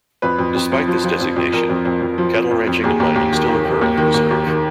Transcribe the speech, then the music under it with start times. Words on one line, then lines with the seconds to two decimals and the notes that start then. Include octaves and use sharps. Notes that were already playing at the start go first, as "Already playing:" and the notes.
Despite this designation, cattle ranching and mining still occur in the Reserve.
0.22 F2 B4
0.39 F2
0.55 F2
0.72 F2
0.88 F3
1.04 F3
1.20 F2
1.36 F2
1.53 F2 A#4
1.69 F2
1.85 F2
2.02 F2
2.18 F3
2.34 F2
2.51 F2
2.67 F2
2.84 D#2 G#4
3.00 D#2
3.16 D#2
3.32 D#3
3.49 D#3
3.65 D#3
3.81 D#2
3.97 D#3
4.14 D#2 A#3
4.31 D#2
4.47 D#3